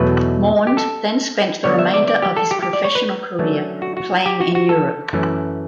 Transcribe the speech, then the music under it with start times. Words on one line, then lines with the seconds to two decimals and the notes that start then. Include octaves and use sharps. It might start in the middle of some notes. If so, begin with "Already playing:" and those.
Maund then spent the remainder of his professional career playing in Europe.
Already playing: E2 B2 F#3 A3 B4
0.67 G4
0.77 A4
1.64 D3 G3 B3 D4 C#5
1.79 E5
1.94 D5
2.08 D5
2.22 G4
2.37 A4
2.51 G4
2.63 G4
2.73 D5
2.84 C#5
2.95 B4
3.39 D3 F#3 A3 C#4
3.82 F#4
3.97 F#4
4.26 G4
4.40 F#4
4.55 F#4
4.69 A4
5.13 F#2 E3 A3 C#4